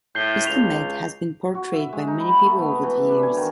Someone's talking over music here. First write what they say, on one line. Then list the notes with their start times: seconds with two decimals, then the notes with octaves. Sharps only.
Mr. Met has been portrayed by many people over the years.
0.15 A2 G6 C7 G7
0.47 C#2 F7
1.55 F#4
1.73 E5
1.93 G#3
2.07 D#4
2.20 B5
2.44 A3
2.59 B3
2.83 E3
3.09 D4
3.23 G#5
3.37 D#3